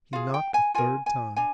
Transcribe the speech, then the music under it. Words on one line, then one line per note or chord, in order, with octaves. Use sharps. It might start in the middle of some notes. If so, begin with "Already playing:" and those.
He knocked a third time.
F4 G#4 F5
G5
G#5
F4 A#4 G#5
G#5
D4 G#5